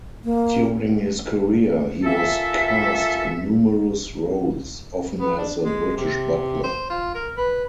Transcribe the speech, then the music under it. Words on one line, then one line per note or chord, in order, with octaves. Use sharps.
During his career, he was cast in numerous roles, often as a British butler.
A#3
A#3 C#4 F4 A4 E5
B3
D4
G#3
C3
C5
F4
A#4
B4